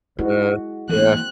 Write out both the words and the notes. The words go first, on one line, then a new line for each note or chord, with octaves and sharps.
Uh, yeah.
G#3 E4 F#4
E3 A#3 C4 F#6